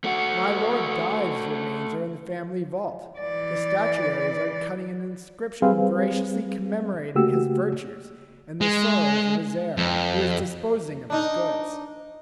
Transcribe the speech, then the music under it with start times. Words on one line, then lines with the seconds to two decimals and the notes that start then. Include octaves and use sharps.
My Lord Dives's remains are in the family vault: the statuaries are cutting an inscription veraciously commemorating his virtues, and the sorrows of his heir, who is disposing of his goods.
0.04 A3 F#4
3.19 E3 D5
5.62 G3 C4 G#4 B4 C5 F5
7.15 C#3 A3 A#3 F#4 G4 E6
8.61 G#3
9.77 F2
11.10 D4 D#4